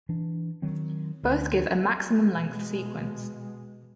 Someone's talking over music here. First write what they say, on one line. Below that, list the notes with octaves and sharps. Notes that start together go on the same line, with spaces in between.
Both give a maximum-length sequence.
E3 D4
D#3 F#3 C4
D2
B2 G#3